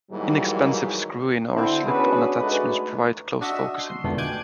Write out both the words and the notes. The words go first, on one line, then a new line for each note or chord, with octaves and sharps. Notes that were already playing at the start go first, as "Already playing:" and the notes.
Inexpensive screw-in or slip-on attachments provide close focusing.
G#2 D#3 E3 F#3 G3 A#3
B2 D3 C4 E4
B3 C#4 D4 F#4 G#4 B4
G#3 A3 D4 D#4 F#4 B4
D4 F#4 D#5 E5
C6
F2 G#2 B2 D3 D#3 A3
G5 G#5 D6 F#6 G#6